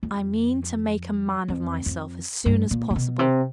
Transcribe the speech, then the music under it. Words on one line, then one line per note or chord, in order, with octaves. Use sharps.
"I mean to make a man of myself as soon as possible."
F2
F2
F2
G2
A#2
A#2
B2
C3